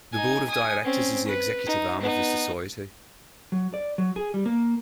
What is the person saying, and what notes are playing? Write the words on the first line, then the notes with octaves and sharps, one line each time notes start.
The Board of Directors is the executive arm of the Society.
D#4 G#5
G#5 D#6
C4 C#4
B4
D#4
B3 D#4
F#3
D5
F#3
G#4
G3
A#3